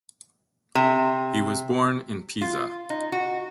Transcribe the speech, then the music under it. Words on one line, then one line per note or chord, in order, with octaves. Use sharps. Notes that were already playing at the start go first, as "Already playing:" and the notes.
He was born in Pisa.
C3
F4
D#4
F#4